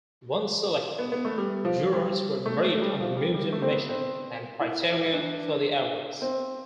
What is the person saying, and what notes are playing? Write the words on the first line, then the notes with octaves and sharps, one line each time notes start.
Once selected, jurors are briefed on the Museum mission and criteria for the Awards.
B3
B3
A3
G3
F3
G3
A3
A3
G3
F3
G3
G3
A3
C4
B3
C4
E4
E4
D4
C4